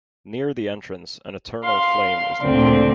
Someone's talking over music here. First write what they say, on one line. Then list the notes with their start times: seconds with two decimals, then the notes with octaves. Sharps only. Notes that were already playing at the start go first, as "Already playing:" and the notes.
Near the entrance an eternal flame is located.
1.64 F5 C6
2.43 D2 A#2 D3 C4 D5